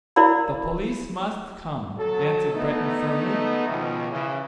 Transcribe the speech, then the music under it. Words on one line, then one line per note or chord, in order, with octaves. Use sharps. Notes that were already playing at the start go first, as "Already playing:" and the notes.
"The police must come," answered Breton firmly.
E4 F#4 A#4 D5 F5 B5
F#3 A4
A3 B3 D#4
C#2 B2 D#3 F3
C#3 E3